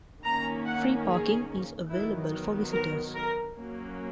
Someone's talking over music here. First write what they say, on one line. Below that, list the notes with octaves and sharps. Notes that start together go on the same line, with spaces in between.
Free parking is available for visitors.
D#3 A#3 C#4 A#5
F#5
G#4
D#3 F#3 B3 E4
A#4
A#4
F#3 A#3 C#4